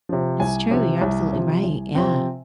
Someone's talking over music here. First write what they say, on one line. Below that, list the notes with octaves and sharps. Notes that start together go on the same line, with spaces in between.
That's true, you're absolutely right, yeah.
C3 F3
C2 G#5
C3 F3
C2
C3 F3
C2
C3 F3 C4